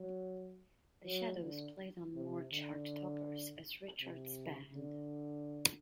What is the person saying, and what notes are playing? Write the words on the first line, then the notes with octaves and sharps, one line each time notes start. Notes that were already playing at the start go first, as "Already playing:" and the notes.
The Shadows played on more chart-toppers as Richard's band.
Already playing: F#3
F#3
D3
C3
D3
C3
D3